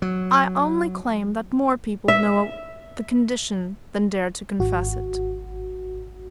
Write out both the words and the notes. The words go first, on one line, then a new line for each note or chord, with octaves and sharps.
I only claim that more people know the condition than dare to confess it.
F#3
E5
G#1 F#4